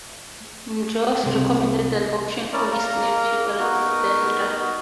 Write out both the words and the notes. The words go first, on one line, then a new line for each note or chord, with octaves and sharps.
Mojs recommended an option for his nephew Alexander.
C2 C3 G#3
C#4 E4 A#4 D5
A#3 A#4 A#5
B3 D#4 F#4 A#4